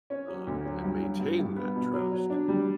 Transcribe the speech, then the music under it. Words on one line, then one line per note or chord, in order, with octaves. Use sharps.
um, and maintain that trust,
C#4
F#3
D2
F#3
G2
F#3
G2
G2
B3
B2
F#3
F#3
D4
G3